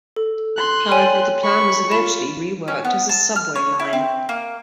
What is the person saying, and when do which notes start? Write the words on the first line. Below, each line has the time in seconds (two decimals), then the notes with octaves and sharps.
However, the plan was eventually reworked as a subway line.
0.16 A4
0.57 C6 F#6
0.91 C#5 G5 G#5
1.43 B5 C#6
1.91 F4 B5 E7
2.68 C#4
2.85 B3
3.09 A5
3.36 F6
3.55 C#5
3.80 E4
3.93 C4
4.29 A#3